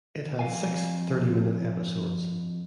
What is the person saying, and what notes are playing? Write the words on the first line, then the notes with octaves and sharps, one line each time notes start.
It had six thirty-minute episodes.
F2 G#3 F5 G#5